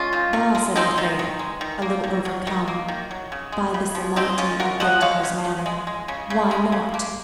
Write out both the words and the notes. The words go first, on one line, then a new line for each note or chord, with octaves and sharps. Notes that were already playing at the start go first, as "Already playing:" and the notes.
"Bah," said Andrea, a little overcome, by the solemnity of Bertuccio's manner, "why not?"
Already playing: G#3 C#4 F4
D#3
D#3
G#3
G#3 C4 D#4
D#3
D#3
G#3
D#3
A#3
D#3
F#3
D#3
A#3
D#3
F#3
C#3
G#3
C#3
F3
C#3 C4 D#4
G#3 C#4 F4
C#3 F#4 A#4
F3 D#5 F#5
G#3 C#5 F5
C#3
C#3
G#3
G#3
C#3
C#3
G#3
C#3
A#3